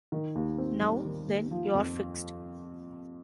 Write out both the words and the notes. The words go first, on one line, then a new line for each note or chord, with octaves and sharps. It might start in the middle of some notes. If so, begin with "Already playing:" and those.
Now, then, you're fixed.
D#3
D#2
C4
G3
D#3
D#2
F3
F2